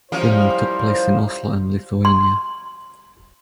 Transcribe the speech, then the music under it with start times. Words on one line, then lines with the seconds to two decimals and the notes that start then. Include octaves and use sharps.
Filming took place in Oslo and Lithuania.
0.12 F3 G3 A#3 C#4 E4 C5
2.05 C6